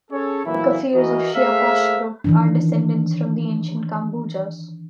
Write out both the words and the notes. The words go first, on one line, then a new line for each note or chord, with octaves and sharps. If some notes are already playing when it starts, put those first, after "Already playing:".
The Kafirs of Siah-Posh groups are descended from the ancient Kambojas.
C#4 G#4 A4 C#5
A#2 E3 F#3 A#3 E4
E3 F#4 A#4 D#5
A3 A#3 G#4 C5 E5 F5
D#3 E3 D4